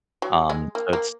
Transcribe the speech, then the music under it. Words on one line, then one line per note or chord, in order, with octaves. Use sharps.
Um, so it's
F#3
G#3
A#3
A#3